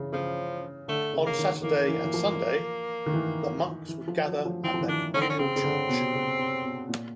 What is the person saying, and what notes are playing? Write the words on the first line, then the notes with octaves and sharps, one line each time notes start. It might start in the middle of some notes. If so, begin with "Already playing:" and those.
On Saturday and Sunday, the monks would gather at their communal church.
Already playing: C#3 E3
C#3 F3
D3 A3
C#3
A#3
D#3
E3 A#3
E3
E3
F3
D#3
E3
E3
F3
F#3
F3
E3 C4
F3
E3
D#3 D4
D3 C#4
C4
C#4
C#3 C4
C#3
D3
B2
C3
C#3
C3
B2
A#2